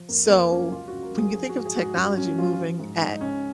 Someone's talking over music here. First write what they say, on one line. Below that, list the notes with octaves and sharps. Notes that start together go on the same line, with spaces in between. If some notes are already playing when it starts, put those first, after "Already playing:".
So, when you think of technology moving at
Already playing: F3
F2 A#3
F2 A#3
F#3 C#4
C#2 F4
C#2 F#4
A#4
F#3 G#4
F3 G#4
F#4
G#2
G#4
G#2 F#4
G#4
F#2 F#4
F#2 C#4
F#3 F4
F3
G#2
G#2 D#4
C#2 C#4